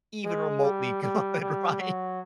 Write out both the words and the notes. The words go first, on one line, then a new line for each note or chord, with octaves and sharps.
even remotely good, right?
G#3
G3
G3
G3
F#3